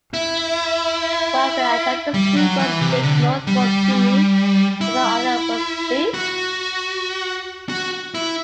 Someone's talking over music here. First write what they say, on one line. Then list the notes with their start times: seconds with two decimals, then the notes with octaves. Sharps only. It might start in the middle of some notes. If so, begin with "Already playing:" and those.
One of the attacking speedboats escaped north towards Guinea, while the other was seized.
0.14 E4
2.14 G3
2.36 F#3
2.59 E3
2.80 C3
3.03 D3
3.47 G3
4.81 E4
6.14 F#4
7.69 F#4
8.14 E4